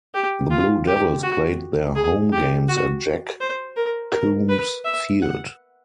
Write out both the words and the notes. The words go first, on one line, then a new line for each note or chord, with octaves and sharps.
The Blue Devils played their home games at Jack Coombs Field.
G4
F4
G4
F#4
G#4
G4
F#4
C5
A#4
A#4
B4
E5
F#5